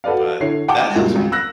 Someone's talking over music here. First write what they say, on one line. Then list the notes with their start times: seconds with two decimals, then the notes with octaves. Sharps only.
But, that helps me.
0.04 F#4 A4 B4 D5 F5
0.40 D3 E4 C#5 C7
0.68 F#5 G5 A5 D6
0.95 C#2 F#2 A#2 G3 F4
1.15 G#1 C#2
1.32 E6 F#6 A#6